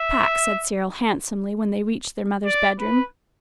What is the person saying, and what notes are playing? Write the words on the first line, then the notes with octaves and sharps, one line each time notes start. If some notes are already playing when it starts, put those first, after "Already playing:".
'Pax,' said Cyril handsomely when they reached their mother's bedroom.
Already playing: E5
D5
B4